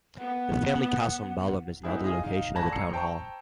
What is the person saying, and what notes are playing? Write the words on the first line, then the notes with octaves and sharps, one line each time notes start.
The family castle in Ballum is now the location of the town hall.
B3 F#5
B3 C4 D#4 E4 G#4
F4 G#4 D#5
D#4 F5
D#1 G#1 A5 B5 G#6 A#6
A#5 E6 C7 C#7
C5 G5 A5 A#5 C#6